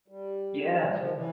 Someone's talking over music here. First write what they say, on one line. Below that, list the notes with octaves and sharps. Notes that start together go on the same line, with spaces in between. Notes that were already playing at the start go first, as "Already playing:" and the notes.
Yeah, yeah.
G3
G3
F3
E3